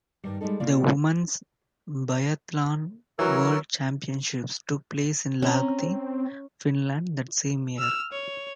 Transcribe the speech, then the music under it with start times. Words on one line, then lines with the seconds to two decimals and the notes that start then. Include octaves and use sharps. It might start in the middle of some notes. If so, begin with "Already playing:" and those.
The Women’s Biathlon World Championships took place in Lahti, Finland that same year.
0.24 G2 D#3 G3
0.41 G3 G#3 C4 D#4 A4
0.60 B2 A#3 E4 F4 D5 F5
3.19 E3 F#3 A#4 C#5 E6
5.42 C4 C#4 A#5
7.78 E6 F6
8.12 C#5